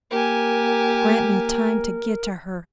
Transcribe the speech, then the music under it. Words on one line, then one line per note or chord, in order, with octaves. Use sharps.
Grant me time to get to her....
A#3 G4 A#4 G#5